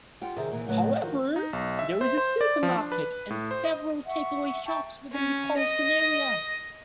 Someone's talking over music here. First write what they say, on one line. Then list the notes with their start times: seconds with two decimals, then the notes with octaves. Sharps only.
However, there is a supermarket and several take-away shops within the Colston area.
0.21 G3 F4 F#5 G5
0.36 C3 D#3 G#4 D5 E5
0.51 A#2 E3
0.68 A2 C#3 F3 F#3 B4 D5
1.02 D#3 F3 F4 F#4
1.36 D#4
1.53 B1
1.79 E5
2.01 C5
2.18 C5
2.41 D5
2.63 F3
2.76 D4
2.92 B4
3.30 A2
3.51 C5
3.65 D#5
4.06 E5 F#5 C#6
4.65 G5 A5 C#6
5.12 C#4
5.57 D#5